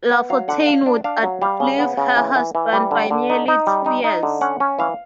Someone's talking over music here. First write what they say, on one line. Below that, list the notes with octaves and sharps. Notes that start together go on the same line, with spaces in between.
Lafontaine would outlive her husband by nearly two years.
B3
F#3 F5
D3 F#5
D4 F5
D4
D4 F5
F#3
G3 F5
C#3
B3
C#3
E3
E3
E3
G3
D3
D3
D#4
D#4
G3
D#4
D#4
D3
C#4 F#5
C#4
E3 F5